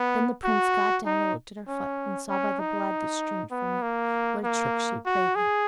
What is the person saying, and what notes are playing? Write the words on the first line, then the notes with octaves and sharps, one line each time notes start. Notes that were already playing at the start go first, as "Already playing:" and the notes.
Then the prince got down and looked at her foot, and saw by the blood that streamed from it what a trick she had played him.
Already playing: B3
F#4
D#4
C#4
C#4
D#4
B3
A#3
A#3
F#4
G#4